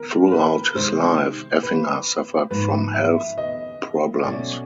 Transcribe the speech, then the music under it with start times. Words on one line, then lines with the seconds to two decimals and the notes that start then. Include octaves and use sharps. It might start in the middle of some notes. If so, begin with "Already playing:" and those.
Throughout his life, Effinger suffered from health problems.
Already playing: A#4
0.28 A#4
0.32 B4
0.75 C3 D#3 G#3 C5
1.63 B4
2.51 G#2 F3 A#3 B4
2.94 E5
3.38 D#5
4.25 B2 F#3 A3 C#4 D5